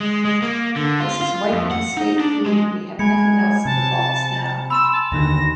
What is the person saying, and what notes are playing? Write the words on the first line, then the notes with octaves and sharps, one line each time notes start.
This is wiping the slate clean, we have nothing else in the vaults now.
G#3
G#3
A#3
D3
F4
F4
F2
F#5
D#4
D4
G#3
G#3 G#5 B5 G#6 C#7
C3 A5
B5 C6 E6 E7
A5
D#2 D3 D#3 A#6